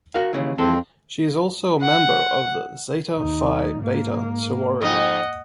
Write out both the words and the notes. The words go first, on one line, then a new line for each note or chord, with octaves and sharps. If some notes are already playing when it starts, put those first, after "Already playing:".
She is also a member of the Zeta Phi Beta Sorority.
F#4 A#4 F5
D#2 C#3 E3
F2 E3 G#3 C4 A4
F#5
D#2 D#4
G#2 A#3
F2 D#4 D#5 F#5